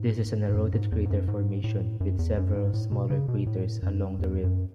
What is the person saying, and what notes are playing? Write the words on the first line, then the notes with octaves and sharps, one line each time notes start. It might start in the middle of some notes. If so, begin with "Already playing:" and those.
This is an eroded crater formation with several smaller craters along the rim.
Already playing: G#2
G#2
F#2
G#2
E2
G#2
F#2
G#2
A2
F#2
E2
F#2
G#2
A2
B2
C#3
B2
A2
F#2
E2
F#2